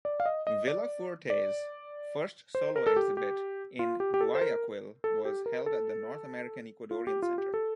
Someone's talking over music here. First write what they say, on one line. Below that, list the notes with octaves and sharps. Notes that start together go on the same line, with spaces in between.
Villafuerte's first solo exhibit in Guayaquil was held at the North American Ecuadorian Center.
D5
F5
D#5
D#5
D5
D5
C5
A#4
A4
G4
G4
F4
G4
G4
A4
C5
A#4
A4
G4
A#4
A4
F4
G4
F4
G4
A4